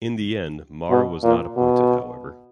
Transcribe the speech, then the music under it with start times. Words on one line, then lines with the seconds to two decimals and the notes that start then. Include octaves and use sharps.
In the end, Mara was not appointed, however.
0.90 B2
1.23 A#2
1.57 B2